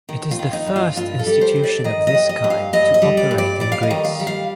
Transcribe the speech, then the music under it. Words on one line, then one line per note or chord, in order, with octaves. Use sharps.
It is the first institution of this kind to operate in Greece.
D#3
F4
D#3
D#4
G2
F4
G2 F4
A4
G3
C5
G2
D5
D#3 D#5
D#5
G2
D#5
G2
F5
G2 D#5
D#5
G3
D5
G2
D5
G3 D5
F5
D#5
D#3
F5
G3
F5